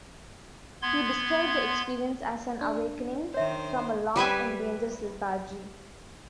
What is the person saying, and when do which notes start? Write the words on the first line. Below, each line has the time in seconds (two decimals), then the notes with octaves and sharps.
He described the experience as an awakening "from a long and dangerous lethargy".
0.82 B3 C6 G#6
2.61 D4
3.34 D#3 C5 C#5 E5
4.16 G3 B4 E5 G#5